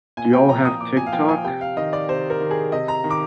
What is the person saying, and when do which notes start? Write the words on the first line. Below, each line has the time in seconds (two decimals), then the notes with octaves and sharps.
Do y'all have TikTok?
0.17 A#2 G#5
0.33 G5
0.49 F3 A#5
0.65 D#6
0.81 A#2 D6
0.97 G#5
1.06 F5
1.12 F3 G5
1.29 G#5
1.44 C3 G5
1.61 F5
1.77 D#3 D#5
1.93 D5
2.09 C3 C5
2.30 A#4
2.41 D#3
2.51 G#4
2.72 C3 D#5
2.88 A#5
3.04 D#3
3.11 D6